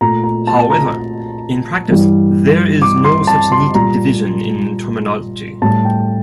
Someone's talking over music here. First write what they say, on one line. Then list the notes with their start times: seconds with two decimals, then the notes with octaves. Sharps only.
However, in practice, there is no such neat division in terminology.
0.01 A#2 A3 A#5
0.24 A#5
0.47 A5
0.70 A#5
1.88 G2 E3 G3
2.82 D6
3.05 C6
3.27 A5
3.52 C6
3.75 A#2 G3 A#5
5.62 A2 G3 A5
5.85 G5